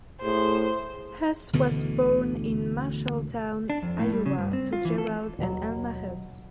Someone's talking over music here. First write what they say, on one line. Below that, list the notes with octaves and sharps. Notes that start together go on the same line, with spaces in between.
Huss was born in Marshalltown, Iowa, to Gerald and Elma Huss.
A2 G#4 C5
D2 B2 D3 E3
D4
F2
A2
G3
C#3
G2
C4
F4
E3
A4
D#2 B2 F#3